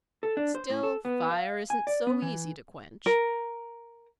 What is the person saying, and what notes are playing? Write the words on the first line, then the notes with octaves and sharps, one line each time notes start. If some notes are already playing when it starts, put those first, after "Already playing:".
Still, fire isn't so easy to quench.
A4
D4
C5
A2
A4
B3
F5
G#5
D5
B3
E3
A#4